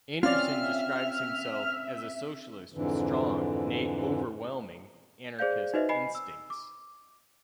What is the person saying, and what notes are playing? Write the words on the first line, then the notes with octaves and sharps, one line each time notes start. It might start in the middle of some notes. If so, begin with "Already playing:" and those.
Anderson describes himself as a socialist with strong, nay overwhelming, anarchist instincts.
C4 C#4 F4 D5 E5 F6
F2 G#2 D3 E3
G#4 C5 D5 F5 G6
D#4 F#4 B4 C5 D#5 E5
D#5 G#5 B5 C7
E6
D6